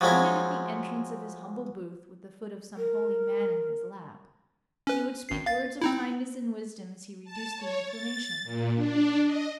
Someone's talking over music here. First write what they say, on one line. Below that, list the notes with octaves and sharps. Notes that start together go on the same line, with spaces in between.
Seated at the entrance of his humble booth, with the foot of some holy man in his lap, he would speak words of kindness and wisdom as he reduced the inflammation.
F3 F#3 G#3 C4 E4
A#4
C#4 B4
G#1 C7
F5 A6
C4 D#4 E4
A5
C#5
A6
A#2
D4
D#5